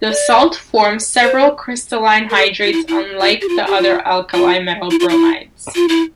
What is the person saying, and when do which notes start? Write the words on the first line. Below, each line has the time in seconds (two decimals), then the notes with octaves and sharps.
The salt forms several crystalline hydrates, unlike the other alkali metal bromides.
0.10 D5
1.23 C5
2.30 A#4
2.36 A4
2.65 F4
2.72 E4
2.88 E4
3.21 F4
3.41 G4
3.49 F4
3.66 G4
3.77 F4
4.34 F4
4.91 E4
5.00 F4
5.09 E4
5.76 F4
5.88 E4